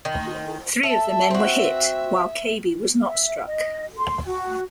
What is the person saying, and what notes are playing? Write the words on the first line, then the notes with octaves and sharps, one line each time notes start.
Three of the men were hit, while Cabey was not struck.
D#3
A4 E5
C4 F#4
E5
D#5
C6
F#4